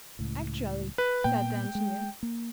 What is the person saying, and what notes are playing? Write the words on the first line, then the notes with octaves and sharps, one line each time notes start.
'Actually,' said the engineer.
C#2 A2
B4
A#2 A#3 B3 G5
G#3
A#3